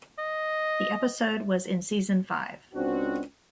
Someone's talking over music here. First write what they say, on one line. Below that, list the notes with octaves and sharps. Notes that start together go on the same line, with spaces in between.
The episode was in season five.
D#5
C#2 C4 D4 F#4